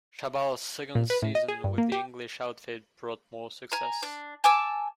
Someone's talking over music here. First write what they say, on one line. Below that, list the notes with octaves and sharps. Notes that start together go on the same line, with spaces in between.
Chabal's second season with the English outfit brought more success.
A#2
B4
A2
D#5
G#4
G2
A#3
G4
G#5 A#5
D4
G#5 A5 D6 E6